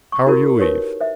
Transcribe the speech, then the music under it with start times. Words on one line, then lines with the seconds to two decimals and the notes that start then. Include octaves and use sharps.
"How are you, Eve?"
0.12 C#6
0.27 E4 F#4 A#4
0.59 D#4 G4 A#4 B4 C#5
1.01 C5 E5